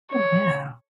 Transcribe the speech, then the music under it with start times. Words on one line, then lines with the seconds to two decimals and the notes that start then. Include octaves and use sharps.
Oh, yeah.
0.12 C#5